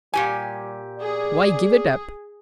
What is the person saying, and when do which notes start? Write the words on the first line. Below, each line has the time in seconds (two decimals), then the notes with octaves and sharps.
"Why give it up?"
0.14 A#2 G3 G4 G#5
0.99 G#4 D5